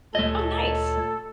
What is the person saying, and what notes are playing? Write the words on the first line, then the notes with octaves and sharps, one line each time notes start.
Oh, nice.
D2 A#2 A3 A4 C#5 D#5